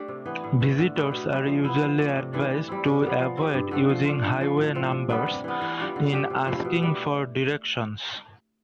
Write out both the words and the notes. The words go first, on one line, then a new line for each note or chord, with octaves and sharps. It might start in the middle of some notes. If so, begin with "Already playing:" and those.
Visitors are usually advised to avoid using highway numbers in asking for directions.
Already playing: A3 D4 G4
C3
E3 B3
A2
E3 A3
D3
A3 E4 G4
B2
G3 C4
F3
B3 E4
F3
A3 D4
C3
E3 G3 D4
E3
G3 C4 E4
C3
G3 B3
F3
C4 G4
G2
D3 A3 C4
F3
A3 D4 F4
D3
F3 A3
A2
F3 C4
C3
G3 B3 D4
C3
E3 B3
E3
G3 D4 F4
D3
A3 D4 G4
C3
F3 A3 E4
B2
G3 D4